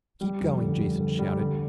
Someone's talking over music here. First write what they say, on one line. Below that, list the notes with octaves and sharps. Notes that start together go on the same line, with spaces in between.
"Keep going!" Jason shouted.
G3
F1
D3
G3
D3
G3
D3